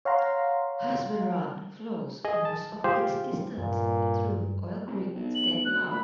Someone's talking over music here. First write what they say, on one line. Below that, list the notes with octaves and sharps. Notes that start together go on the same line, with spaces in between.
Husband Run flows most of its distance through Oil Creek State Park.
C#5 F5 F#5 A#5 C6
G#4 D#5
A5
F4 G4 G#4 C5
G2 A#2
C2
B1
F#7
D2 F#6
A#2 B5